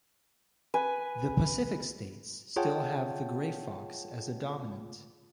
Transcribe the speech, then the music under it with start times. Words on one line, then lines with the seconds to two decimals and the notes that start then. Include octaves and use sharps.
The Pacific States still have the gray fox as a dominant.
0.74 B4 G#5
2.56 F4 G#4 C#5 F#5 G5 A5